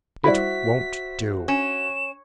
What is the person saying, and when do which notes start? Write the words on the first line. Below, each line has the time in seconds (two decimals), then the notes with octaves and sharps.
It won't do.
0.24 G3 E4 F#4 C5 E5 B6
1.48 C#4 E7